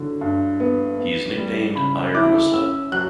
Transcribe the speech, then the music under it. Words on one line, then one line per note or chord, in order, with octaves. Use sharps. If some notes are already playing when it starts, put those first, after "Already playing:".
He is nicknamed "Iron Whistle".
Already playing: D3 F#3
G2
B3
B3
G3
C#3 B5
E4 D6
C#4 E6
F#3 F#6